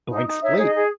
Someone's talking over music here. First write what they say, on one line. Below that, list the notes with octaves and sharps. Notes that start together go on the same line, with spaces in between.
Blank slate.
D#4
D#4
D#4 C#5 E5
G#4 C#5
D#5
G#4